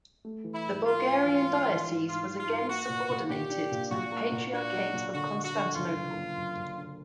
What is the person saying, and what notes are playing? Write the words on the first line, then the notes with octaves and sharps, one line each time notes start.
The Bulgarian diocese was again subordinated to the Patriarchate of Constantinople.
A3
E3
E4
G#2
A3 F4
G#2
E3
G#2
E3
G#2
G#2 F4
G#2
F4
G#2
A#3 F#4
A#2
A#2
A#2 G4
D4
A#2
A#2 F#4
A#3
A#2
D4 F#4
F#3
A#2
D3 F#4
D3
F#4
D3
F#1 F4
F#1
F#1
F#2
F#2
D3